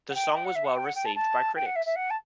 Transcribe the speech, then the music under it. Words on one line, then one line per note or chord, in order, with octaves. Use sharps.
The song was well-received by critics.
F#5
G5
G5
F#5
E5
F#5
G5
F#5
G5
A5
A5
G5
F#5
E5
E5
F#5
A5